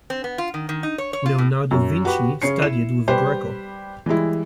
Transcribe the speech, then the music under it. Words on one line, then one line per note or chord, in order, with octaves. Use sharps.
Leonardo Vinci studied with Greco.
C4
B3
F4
D#3
D#3
D#4
C#5
C#5
F4
A2
F#2
F#4 G4 B4
C#3 C#4 C7 C#7
E4 E7
G3 G4 B4 C5
E3 G3 G#3 E4